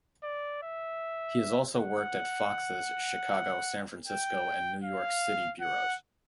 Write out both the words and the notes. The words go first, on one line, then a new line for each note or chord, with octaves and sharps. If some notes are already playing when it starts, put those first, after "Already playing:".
He has also worked at Fox's Chicago, San Francisco, and New York City bureaus.
D5
E5
F#5
G5
F5
F#5